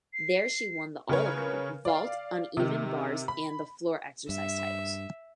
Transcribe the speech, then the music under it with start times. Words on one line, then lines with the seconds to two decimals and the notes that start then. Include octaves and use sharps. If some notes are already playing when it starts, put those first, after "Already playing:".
There she won the all around, vault, uneven bars, and floor exercise titles.
0.13 C7
1.09 C#3 A#4 B4 C#5
1.85 D5 F5
2.57 C3 D#3
3.28 B5
4.29 G2 E5